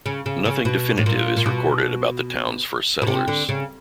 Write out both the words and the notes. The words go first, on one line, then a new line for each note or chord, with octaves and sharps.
Nothing definitive is recorded about the town's first settlers.
C#3
C#3
C#3
B2
A2
A#2
A#2
B2
B2
C3
D3
C#3